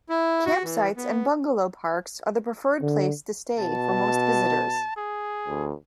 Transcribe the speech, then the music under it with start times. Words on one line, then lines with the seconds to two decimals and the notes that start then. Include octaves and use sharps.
Campsites and bungalow parks are the preferred place to stay for most visitors.
0.09 E4
0.46 F#4
0.63 E3
0.97 B3
2.82 D3
3.59 B2 A5
4.97 G#4
5.48 D2